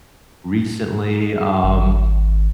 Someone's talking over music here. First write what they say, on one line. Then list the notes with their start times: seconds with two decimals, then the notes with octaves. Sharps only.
recently, um,
1.64 G#1